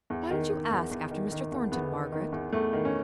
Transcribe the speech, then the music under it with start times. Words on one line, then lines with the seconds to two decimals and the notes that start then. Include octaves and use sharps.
Why don't you ask after Mr. Thornton, Margaret?
0.10 E2
0.30 D#3
0.51 D#3
0.71 E2
0.91 E2
1.11 D#3
1.31 D#3
1.52 E2
1.72 E2 B3
1.92 D#3
2.12 D#3
2.32 E2
2.52 E2 A3
2.73 D#3
2.85 C#4